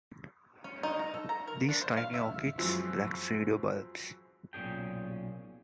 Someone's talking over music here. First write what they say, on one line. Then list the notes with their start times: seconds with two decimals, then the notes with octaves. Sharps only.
These tiny orchids lack pseudobulbs.
0.64 C#4
0.83 D#4
0.99 A#5
1.14 A4
1.29 A#5
1.48 A#4
1.69 D4
1.81 C5
1.97 F5
2.14 E5
2.58 F#2 E3 F3 G#3 C4
4.53 B1 A#2 C#4 G#4 G5